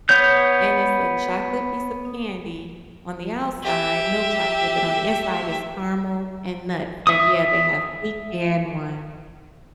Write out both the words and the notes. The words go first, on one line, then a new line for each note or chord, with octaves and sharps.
and it's a chocolate piece of candy on the outside, milk chocolate, but on the inside, it's caramel and nuts, and, yeah, they have pecan one.
B3 C#5 G6
G4 E5
E5 D#6